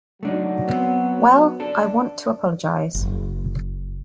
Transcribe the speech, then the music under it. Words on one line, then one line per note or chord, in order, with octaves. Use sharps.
Well, I want to apologise.
F#3 A3 D4 D#4
B3 C4
D4 A4
F#1